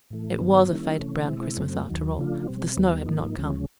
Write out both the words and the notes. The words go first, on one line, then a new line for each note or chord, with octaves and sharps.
It was a faded brown Christmas after all, for the snow had not come.
A2 E3 A3
G2 D#3 F#3 B3
D#3 G3 A#3 C#4 E4
C3 E3 A3 C#4
B2 G#3 C4 E4
F#2 C#3 F#3 A3 C4
D#2 D#3 F#3
C#3 F3 A3 D4 F4
B2 G3 C4
D#2 D#3 G3 B3
G#2 F3 A#3 D#4
D2 C#3 F3 G#3 C#4